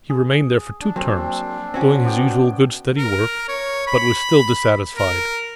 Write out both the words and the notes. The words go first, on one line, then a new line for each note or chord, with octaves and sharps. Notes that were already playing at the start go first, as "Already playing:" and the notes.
He remained there for two terms, doing his usual good steady work, but was still dissatisfied.
G#4
D4
F#3 A#3 C4
C4 C#4 F#4 D5 G#5
B2 D5 G5
A#4
C#5
B5
A#4